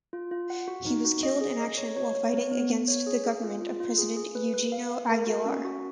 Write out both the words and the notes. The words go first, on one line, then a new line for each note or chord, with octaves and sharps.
He was killed in action while fighting against the government of President Eugenio Aguilar.
F4
F4
F#5
F#4
D#4
F#4
D#5
G#4
D#5
C#5
C#5
C#5
B3
B3
B3
C#5
G#4
G#4
F4
F4
F4
G#4
G#4
B4
B4
F5
F5
A#4
F#4
C#4
F#4